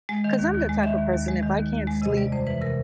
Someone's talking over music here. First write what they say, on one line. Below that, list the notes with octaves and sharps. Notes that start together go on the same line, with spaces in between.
'cause I'm the type of person, if I can't sleep
G#3
D#3
D#2
D#2
G#3
D#3 E5
D#2
D#2
G#3
D#3
D#2
D#2
G#3
C3 D#5
G3 D5
F2 C5
E3 B4
C3 A#4